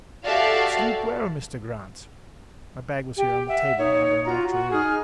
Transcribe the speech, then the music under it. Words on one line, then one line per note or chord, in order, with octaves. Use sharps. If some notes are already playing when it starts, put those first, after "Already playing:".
"Sleep well, Meester Grant." My bag was here on the table under an electrolier.
F#4 G4 A4 D5 E5 F5
G4
E5 F#5
D#4 C#5
F4 F#4 A#5
F#4
D#4 G#4 F6